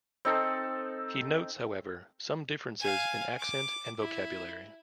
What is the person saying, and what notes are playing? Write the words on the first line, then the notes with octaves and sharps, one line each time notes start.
He notes, however, some differences in accent and vocabulary.
C4 D#4 A4
F5 G#5
D6
E4